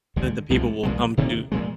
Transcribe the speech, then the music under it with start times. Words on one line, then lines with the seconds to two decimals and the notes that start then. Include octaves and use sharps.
Then the people will come to
0.16 D#2 D3 G#3
0.50 C2 C3 F3 G#3
0.83 C2 A#2 F3 G#3
1.17 D2 C3 D#3 A#3
1.52 A#2 F3 G#3